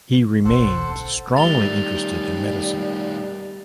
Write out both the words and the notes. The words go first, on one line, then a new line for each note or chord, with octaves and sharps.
He remains strongly interested in medicine.
B1 D3 A4 C5 F#5
D4
D#3 G3 A3 A6 F7 G7